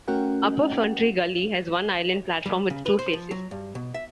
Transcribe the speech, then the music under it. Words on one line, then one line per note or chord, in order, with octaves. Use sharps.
Upper Ferntree Gully has one island platform with two faces.
A3 C#4 F#4 A#4 F#5 G5
G3
C#3
B4
C5
F3
F#3
G2
B2
E5